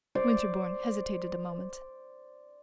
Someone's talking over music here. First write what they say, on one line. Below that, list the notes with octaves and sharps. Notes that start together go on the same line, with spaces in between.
Winterbourne hesitated a moment.
C5 D5 D6